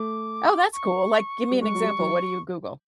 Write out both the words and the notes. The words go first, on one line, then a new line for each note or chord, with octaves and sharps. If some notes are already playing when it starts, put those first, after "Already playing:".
Oh, that's cool, like, give me an example. What do you Google?
Already playing: A3 D6
C#6
G3
G#3 C#6
F#3
G3
F#3